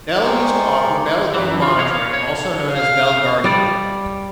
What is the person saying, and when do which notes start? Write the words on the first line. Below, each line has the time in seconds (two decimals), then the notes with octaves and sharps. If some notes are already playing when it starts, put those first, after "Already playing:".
Bell used to offer Bell Home Monitoring, also known as Bell Gardium.
0.23 G#3 G4 A#4 C5 D5 C#6
1.35 F#2 E3
1.62 F4
1.79 C#5 F5
2.13 C#5
2.71 F5
3.44 G3 D5